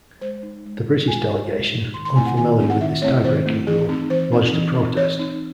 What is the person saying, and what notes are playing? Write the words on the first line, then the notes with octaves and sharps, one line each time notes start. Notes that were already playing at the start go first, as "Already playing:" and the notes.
The British delegation, unfamiliar with this tie-breaking rule, lodged a protest.
G#3 C5
D#4
G#3
D#4
G#3 G#5
D#4
G#3
D#4
D#3 C6
C6
A3 C4 E4 G#5
F#5
D#3 G#5
A3 C4 E4
F#5
D#3 E5
A3 C4 E4 C#5
D#3 C5
A3 C4 E4
E3 G#4
C4 D#4
E3 C5
C4 D#4
E3
C4 D#4
E3 C#5
C4 D#4